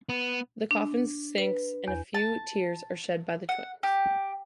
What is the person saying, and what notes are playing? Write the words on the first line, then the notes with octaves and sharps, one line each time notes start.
The coffin sinks and a few tears are shed by the twins.
B3
D4
B4
E2
A5
F#5
G4